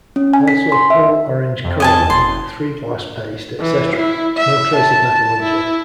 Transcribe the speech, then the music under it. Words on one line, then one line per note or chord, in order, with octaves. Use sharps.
Also a pearl orange coralline, three glass paste, etc.. No trace of metal object.
C#4
G#5
B6
C6
E5
F2
D#5 G#5 A5
E2
F#1 C6
E3
E4
E5
A5
E4